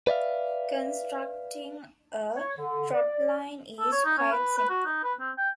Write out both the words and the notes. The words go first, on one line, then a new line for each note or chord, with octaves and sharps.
Constructing a trotline is quite simple.
B4 D5 E5 F5
C#5
D3
D5
A4
C#5
D#4
C#4
B4
B4
F#4
D#4
B4
C4
G5